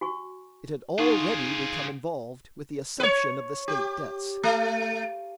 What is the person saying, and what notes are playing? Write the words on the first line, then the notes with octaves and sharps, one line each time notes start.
It had already become involved with the assumption of the state debts.
F#4 G#5 C#6
D#4 F4 G#4 F#5 C#6
B4 C#5
G4
A3